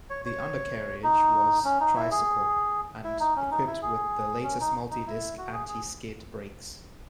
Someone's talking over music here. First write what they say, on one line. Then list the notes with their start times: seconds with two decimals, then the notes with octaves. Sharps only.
The undercarriage was tricycle, and equipped with the latest multi-disc, anti-skid brakes.
0.10 C#5
0.25 C#5
1.04 D#4
1.65 C#4
1.80 D#4
1.96 E4
2.11 G#4
3.04 E4
3.20 D#4
3.36 C#4
3.51 D#4
3.67 E4
3.82 G#4
4.44 C#4
4.60 D#4
4.91 D#4
5.07 E4
5.38 F#4
5.53 G#4
5.68 G#4